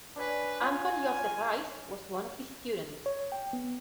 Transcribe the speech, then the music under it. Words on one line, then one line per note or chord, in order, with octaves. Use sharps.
Anton Josef Reiss was one of his students.
D4 B4 C#5 G#5
F4 C#5 G#5
C#5
G5
B3